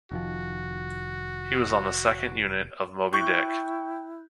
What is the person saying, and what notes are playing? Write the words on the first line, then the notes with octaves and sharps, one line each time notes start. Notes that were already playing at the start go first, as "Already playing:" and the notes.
He was on the second unit of "Moby Dick".
F1 D#3 F3 F#4
E4 G5 C#6 F#6 G6